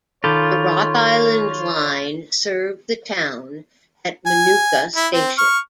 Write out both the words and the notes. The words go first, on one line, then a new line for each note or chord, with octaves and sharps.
The Rock Island Line served the town at Minooka Station.
D#3 F4 A4 C#5 B5 D6 G6
G#5
E4
C4
C#6 F6